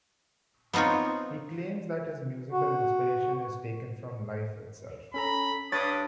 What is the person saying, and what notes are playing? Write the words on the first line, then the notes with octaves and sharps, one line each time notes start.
He claims that his musical inspiration is taken from life itself.
B3 C4 D#4 F4 C#5
F#4
C#4 A4 A#5 B5
G2 C#5 D#6 A6